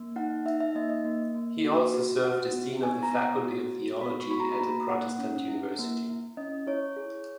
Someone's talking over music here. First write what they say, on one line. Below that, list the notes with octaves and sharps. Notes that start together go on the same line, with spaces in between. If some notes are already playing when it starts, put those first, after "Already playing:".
He also served as dean of the Faculty of Theology at the Protestant University.
Already playing: A#3
D#4 F#5
D#4 E5
E5
A#3 D#5
D#5
A#3
A#3
F#4
F#4
F#4 F#5
B3
B3 G#5
A#5
B3
F#4
F#4
B3 B5
C#6
F#4 B5
A#5
B5
A#3 A#5
A#3 F#5
C#4
E4
A#3
E4
C#4 D#5
E4 C#5
G#4